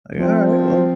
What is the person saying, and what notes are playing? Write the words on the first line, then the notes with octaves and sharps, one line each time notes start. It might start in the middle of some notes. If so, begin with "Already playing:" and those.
like, "Alright, well"
F3 C4